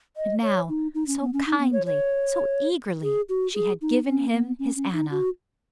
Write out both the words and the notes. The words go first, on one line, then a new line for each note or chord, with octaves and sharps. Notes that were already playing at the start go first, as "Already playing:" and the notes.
And now, so kindly, so eagerly!--she had given him his Anna.
D#5
C#5
D#4
D#4
C#4
B3
C#4
D#4
B3
C#5
C#5
G#4
F#4
G#4
D#4
C#4
B3
C#4
C#4
D#4
F#4